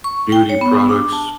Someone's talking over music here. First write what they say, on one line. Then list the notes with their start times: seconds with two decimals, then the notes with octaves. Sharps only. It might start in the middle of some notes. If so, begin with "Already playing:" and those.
beauty products,
0.04 C#6
0.32 G5
0.49 C#5
0.61 B3
0.89 D4
1.12 A5